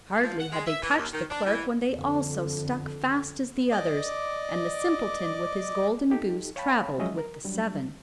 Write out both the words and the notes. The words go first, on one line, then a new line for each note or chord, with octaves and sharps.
Hardly had they touched the clerk when they also stuck fast as the others, and the simpleton with his golden goose travelled with the seven.
F3
F#5
G#3
E5
E3
D#2
D#3
D4
E3
F2 D3
D5 D#5 D6
D#4 G4 A4
C#5 F5 G5 A5 B5
F3 F#3 G#3 C#4 D#5 E5
A#4
F#3 G3 D4